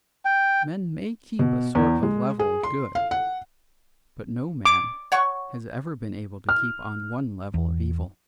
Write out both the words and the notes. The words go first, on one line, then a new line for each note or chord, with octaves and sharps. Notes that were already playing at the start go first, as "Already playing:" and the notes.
Men may keep a sort of level of good, but no man has ever been able to keep on one level of evil.
G5
B2
E2
G#3
G#4
C6
F5
F#5
D6
C#5 F#5 C#6
F6
E2